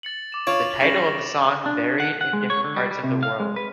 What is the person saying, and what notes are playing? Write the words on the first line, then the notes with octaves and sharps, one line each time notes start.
The title of the song varied in different parts of the world.
A6 C#7 F#7
D6 E7
F4 C#5 D7 E7 F7
G3 C#4 G#4 A#6 E7 F#7
D4
F#5
F#5
G#3
C#5
D3
G3
G3
C3
F5
G#3
B4